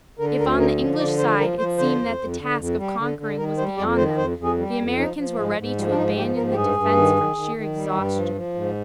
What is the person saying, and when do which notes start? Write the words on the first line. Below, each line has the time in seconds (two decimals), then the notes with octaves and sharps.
If on the English side it seemed that the task of conquering was beyond them, the Americans were ready to abandon the defense from sheer exhaustion.
0.19 D3 A#4
0.39 D2 A#4
0.59 D3 A#4
0.79 F3
0.99 D3 D5
1.18 F3 C5
1.38 F3 A#4
1.58 F3 C5
1.78 D3 C5
1.99 F2
2.19 F2
2.39 D3
2.58 F2
2.78 G3
2.98 D3
3.18 D3
3.38 D#3 A#4
3.58 G3 C5
3.77 F2 D5
3.97 D#3 C5
4.17 F2 C5
4.37 F2
4.44 G#4
4.57 G3
4.70 G4
4.77 F2
4.97 F3 D#4
5.17 F3
5.37 G#2 G#3
5.57 G#2
5.77 F3 G3
5.89 D4
5.97 G#2 D#4
6.17 F3 G4
6.36 G#2 A#4
6.51 G4
6.56 G2 G#4
6.76 G2
6.96 D#3
7.16 D#3
7.36 D#3
7.56 D#3
7.76 G3
7.95 G2
8.16 F3
8.35 F3
8.55 G#2